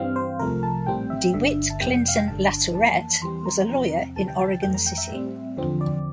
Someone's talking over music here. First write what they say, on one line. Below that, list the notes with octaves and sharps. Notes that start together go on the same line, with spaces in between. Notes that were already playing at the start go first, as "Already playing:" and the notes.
DeWitt Clinton Latourette was a lawyer in Oregon City.
Already playing: G2 E3 G3 C4 F5
C5
C2 C3 F3 A3 A#4
A5
A#1 A2 G3 C4 G5
E5
G1 G2 D3 E5
A5
F2 C3 G3 A#3 G5
F5
G5
G1 G2 D3 A5
F2 E3 A#3 A5
E2 E3 G3 C4 C6
A#5
E2 C3 F3 C4 A#5
D2 C3 E3 G3 A5
G5
A5
F2 E3 A3 G5
A#5
G5
E5
A2 G3 C4
E2 D3 F3 C4
D5